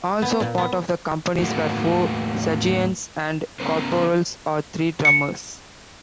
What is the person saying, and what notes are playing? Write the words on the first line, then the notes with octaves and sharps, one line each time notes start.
Also part of the companies were four sergeants and corporals and three drummers.
B3
A#2
B3
E2 A2 A#3 F#4
C#3 B3 C#4 A#4 C5
C#7